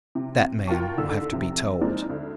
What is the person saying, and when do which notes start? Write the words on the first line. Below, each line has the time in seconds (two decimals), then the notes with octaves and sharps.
That man will have to be told!
0.15 C3
0.67 F4 F#4 A#4 G5 A5 C#6
0.97 D#2 D3 E6
1.32 C3 F3
1.81 G#3 A#3 C4 D4 D#4
2.10 D2